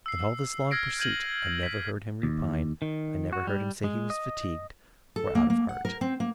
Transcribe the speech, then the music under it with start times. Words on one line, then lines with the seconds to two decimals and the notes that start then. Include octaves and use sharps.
In all this long pursuit, I never heard him repine; I never heard him say he was fatigued, or out of heart.
0.06 E6 C7
0.71 E6 F6 G#6 A#6 C7 D7
0.99 G6 G#6 D#7 F#7
1.63 B6
2.23 D#2
2.82 D#3
3.33 F#4
3.47 G3
3.84 G#3
4.10 D#5
5.16 A4
5.35 A#3
5.50 A#3
5.69 F#5
5.85 A#4
6.01 C4
6.20 A#3